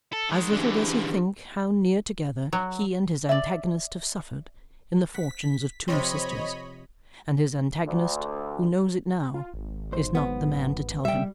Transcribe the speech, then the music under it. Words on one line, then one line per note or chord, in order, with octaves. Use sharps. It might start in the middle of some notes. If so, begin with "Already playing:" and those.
As little does he think how near together he and his antagonist have suffered in the fortunes of two sisters, and his antagonist, who knows it now, is not the man to tell him.
A4
D#3 G#3
D3 E3 D4 G4 G#4
F#3
D5 E5
F#5 B6
C3 F3 C4 C#5 D#5 B5
D2
F4
G#1
B1 G#2 C5
B3
G3 E5 G5